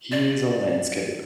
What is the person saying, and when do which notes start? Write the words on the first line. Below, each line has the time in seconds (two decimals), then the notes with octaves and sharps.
Here's a landscape!
0.12 D5